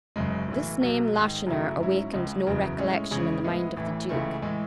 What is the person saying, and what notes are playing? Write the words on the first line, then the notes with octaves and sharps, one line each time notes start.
This name Lacheneur awakened no recollection in the mind of the duke.
F#1 F#2 C#3 G#3
B1 A2 E3
B1 B2 F#3
G#2 D#3 G#3
F#2 C#3 F#3 A3 E4
G#2 F#3 C#4 E4
C#2 C#3 G#3
F#1 E2 C#3 F#3 B3
A2 G#3 C#4 G#4
E2 C#3 G#3 C#4 G#4
A2 G#3 B3 E4
A1 A2 E3
C#2 C#3 E3 A3
A2 E3 G#3